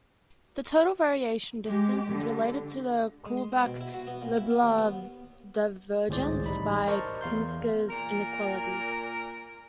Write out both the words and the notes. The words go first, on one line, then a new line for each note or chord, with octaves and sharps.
The total variation distance is related to the Kullback-Leibler divergence by Pinsker's inequality.
G#3 G4
D3
G#3
C6
C4
B2
E4
F#4
B3
A#2
E4
B3
D#2
B3
G#1 C#2 A2 G#4 C5 D5
A1 G3 D#4 B5
A#4 C5 D5 D#5 A5 C#6
E2 F5 C6 G6
A#2 A#4